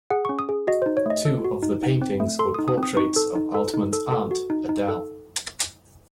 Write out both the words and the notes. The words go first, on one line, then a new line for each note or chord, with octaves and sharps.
Two of the paintings were portraits of Altmann's aunt, Adele.
G#4 F#5
C#4 C#6
D#6
G#4
F#4 D#5
D#4 C5
C#5
A3 D#5
A4
F#4
D#4
D#4
C4
A3
A4 C6
D#4 D#6
D#6
C4
D#6
D#4 C#6
A4
D#4
A4
D#4
A4
A4
F#4
D#4
D#4
A4